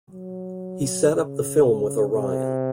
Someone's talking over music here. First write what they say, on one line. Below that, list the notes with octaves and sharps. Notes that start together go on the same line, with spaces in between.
He set up the film with Orion.
F#3
C#3
C3